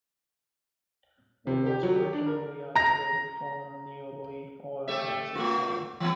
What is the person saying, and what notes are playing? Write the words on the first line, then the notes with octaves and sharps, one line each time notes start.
It was originally isolated from neroli oil, hence its name.
C3
G4
F#3
G4
D4
A#4
A#5 A#6
A3 G4 E5
A3 F4
E3 F#3 B3